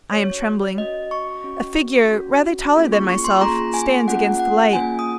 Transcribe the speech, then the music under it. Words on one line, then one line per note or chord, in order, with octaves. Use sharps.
I am trembling. A figure rather taller than myself stands against the light.
C#4 F#4 C#5
C#4 F#4 D#5
C#6
C#4 F#4
C#4 F#4
A#3 C#4 F4 G#4
C#6
C#6
C6
A#3 C#4 F4 G#4 A#5
G#5
A#3 C#4 F4 G#4 F#5
F#5
A#3 C#4 F4 G#4 G#5
D#6